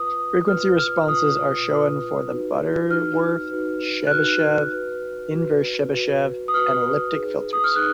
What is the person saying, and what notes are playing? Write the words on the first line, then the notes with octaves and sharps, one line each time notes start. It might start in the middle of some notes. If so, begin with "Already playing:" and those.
Frequency responses are shown for the Butterworth, Chebyshev, inverse Chebyshev, and elliptic filters.
Already playing: F4 B4 D#6
F4 B4 F6
F6
F4 B4 D#6
F4 B4
D#4 F#4 B4
D#4 F#4 B4 F6
D#4 F#4 B4
F#6
D#4 F#4 B4 F6
F#4 B4
F#4 B4
F#4 B4
D#6
F#4 B4 F6
D#4 G#4 B4
D#6
F6
D#4 G#4 B4 F#6